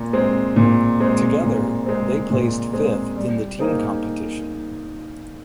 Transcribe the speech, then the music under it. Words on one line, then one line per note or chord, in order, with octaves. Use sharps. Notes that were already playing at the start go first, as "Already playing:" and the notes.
Together they placed fifth in the team competition.
Already playing: A#2
G#3 C4
A#2
G#3 C4
A#2
G#3 C4
A#2
G#3 C4
G3
A#3 D#4 G#4 C5